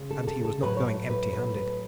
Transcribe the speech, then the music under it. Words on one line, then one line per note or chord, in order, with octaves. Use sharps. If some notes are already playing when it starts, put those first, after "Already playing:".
And he was not going empty-handed.
Already playing: C#3 G#3
A4
A4
A4
A2 F#3 A3 B4
C#5
B4
B4
B4
B4